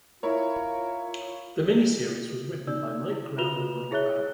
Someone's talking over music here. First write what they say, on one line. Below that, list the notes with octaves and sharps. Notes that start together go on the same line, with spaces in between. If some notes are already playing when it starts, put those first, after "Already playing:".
The mini-series was written by Mike Grell and Mike Baron.
E4 F4 A#4 C#5
D#4 D5 E6
E4
F4 F#4 B4 E7 F7 G7
E4 G#4 C#5 E5 F#6 G7